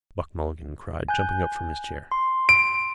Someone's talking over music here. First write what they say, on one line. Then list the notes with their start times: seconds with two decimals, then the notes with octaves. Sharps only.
Buck Mulligan cried, jumping up from his chair.
1.08 G#5 F#6 G6
2.12 C6
2.49 D7